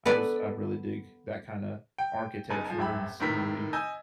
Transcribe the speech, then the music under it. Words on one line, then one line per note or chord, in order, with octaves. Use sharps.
I just I really dig that kinda architecture and scenery,
B3 A4 B4 D5
G5
F#1 B3 D#4 G#5 A5
F3 G#5
D1 F#2 E5 G5 B5
F1 A2 D#3 A#4 B4 B6
D#5 G#5 E6 G6